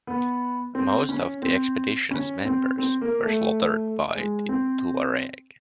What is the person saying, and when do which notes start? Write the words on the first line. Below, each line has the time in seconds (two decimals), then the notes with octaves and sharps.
Most of the expedition's members were slaughtered by the Tuareg.
0.07 B3
0.75 C4
1.09 C#4
1.43 C4
2.11 C#4
2.45 C4
2.78 C4
3.01 A#3
3.24 A3
4.15 G#3
4.49 C4